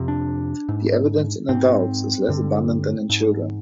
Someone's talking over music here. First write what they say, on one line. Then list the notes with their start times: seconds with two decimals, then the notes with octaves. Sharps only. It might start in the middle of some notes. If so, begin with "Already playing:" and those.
The evidence in adults is less abundant than in children.
Already playing: F2 C3
0.08 D4
0.69 G#2
1.49 G#2 C4
2.28 G2 D3
3.10 G#2